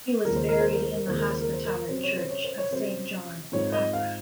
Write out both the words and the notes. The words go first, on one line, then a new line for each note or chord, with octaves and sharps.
He was buried in the Hospitaller church of Saint John in Acre.
D#2 C#3 F3 G#3 A#4
C5
A#4
C5
A#4
C5
A#4
D#2 C#3 F3 G#3 C5
A#4
C5
A#4
C5
A#4
C3 F#3 C#4 C5
C#5
C5
C#5
C5
C#5
C3 F#3 C#4 C5
G#2 F3 C4 D#4 C#5
D#5
F5